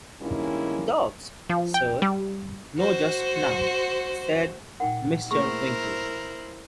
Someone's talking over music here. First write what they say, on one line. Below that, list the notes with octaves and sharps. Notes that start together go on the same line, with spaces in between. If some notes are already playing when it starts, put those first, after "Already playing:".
Dogs, Sir?’ ‘Not just now,’ said Mr. Winkle.
G2 D#3 G#3 A#3 C#4 E4
F3
G5
G3
F#4 C5
A#2 D#4 A#4 F#5 G5
A3 A#3 E4 G#4 A#4 C5 C#6